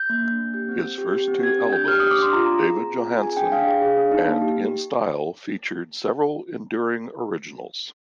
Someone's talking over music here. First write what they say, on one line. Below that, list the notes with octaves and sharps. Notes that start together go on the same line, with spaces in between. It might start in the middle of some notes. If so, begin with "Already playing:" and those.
His first two albums, "David Johansen" and "In Style", featured several enduring originals.
Already playing: G6
A#3
D4
A#3
G4 G6
C4
C4
G4
G4
C4
G4 G#6
D4
D4 G6
G4 F6
G4 D#6
D6
D4 C6
F4 A#5
C4
G#4
C4
F4
C4
G#4 G#5
D4 G5
D4 F5
G#4
G#4
D4
D#4
A#3
G4